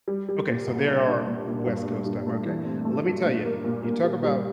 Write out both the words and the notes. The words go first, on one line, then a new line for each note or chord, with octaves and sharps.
Okay, so, there are West Coast time, okay. Lemme tell ya, you talk about
G3
G3
A#2
C2
D4
D4
A#2
A#2
G2
A3
G2
A3
E3
C4
A3
G2
A#2
A#3
A#2
A#3
G3
G3